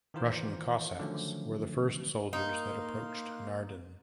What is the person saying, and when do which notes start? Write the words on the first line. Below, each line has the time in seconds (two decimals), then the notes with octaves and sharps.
Russian cossacks were the first soldiers that approached Naarden.
0.14 D#3 E3 F4 A#4 C5
0.99 D3 D#3 F3 F#3 A3 C#4
2.33 A#3 D#4 F5 C6